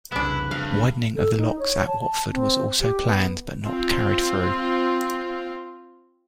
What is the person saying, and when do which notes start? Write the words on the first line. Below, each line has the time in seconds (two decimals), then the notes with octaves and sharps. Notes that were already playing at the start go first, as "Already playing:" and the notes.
Widening of the locks at Watford was also planned, but not carried through.
0.12 C2 F2 C#3 B3 D4 E4 B4
0.51 G2 F5
1.16 A4
1.38 D#4
1.59 C#5
1.87 A5
2.01 A5
2.32 C4
2.81 G4
3.06 B3
3.65 C4 F4